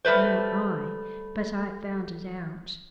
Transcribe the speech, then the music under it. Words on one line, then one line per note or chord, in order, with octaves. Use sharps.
"Nor I. But I found it out."
G3 A3 B4 C5